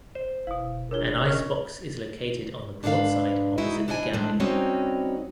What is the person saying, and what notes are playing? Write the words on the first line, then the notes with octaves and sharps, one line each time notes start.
An ice box is located on the port side opposite the galley.
C5
F1 B2 E4 F5
D4 F4 G#4 A#4 C#5 G7
C#4 A#4 C#5 D#5 C#6
G#2 D4 D#4 A4 B4 F5
G#3 D#4 E4 F#4
D4 E4 D#5 F#5 G#5
A2 G#3 D4
G3 C4 C#4 D#4 F#4